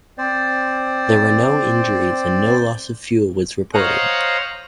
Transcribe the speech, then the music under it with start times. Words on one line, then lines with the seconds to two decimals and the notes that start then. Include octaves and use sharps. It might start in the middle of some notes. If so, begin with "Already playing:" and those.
There were no injuries and no loss of fuel was reported.
0.18 C4 C5 D5
3.74 C5 C#5 D#5 F5 F#5 A#5